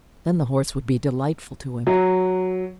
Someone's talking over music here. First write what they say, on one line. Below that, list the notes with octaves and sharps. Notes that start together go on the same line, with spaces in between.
Then the horse would be delightful to him.
F#3